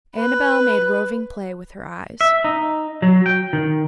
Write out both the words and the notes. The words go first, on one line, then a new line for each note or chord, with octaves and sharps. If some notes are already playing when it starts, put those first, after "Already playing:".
Annabel made roving play with her eyes.
B4
E5
D#4
F#3
G5
D#3